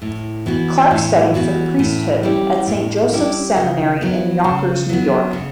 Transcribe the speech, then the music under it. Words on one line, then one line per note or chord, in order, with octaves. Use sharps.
Clark studied for the priesthood at Saint Joseph's Seminary in Yonkers, New York.
A2
E3 B3 F#4
A2
E3 B3 F#4
A2
G3 C#4 E4 G4
A2
G3 C#4 E4 G4
C#3
F#3 B3
C#3
F#3 B3
C#3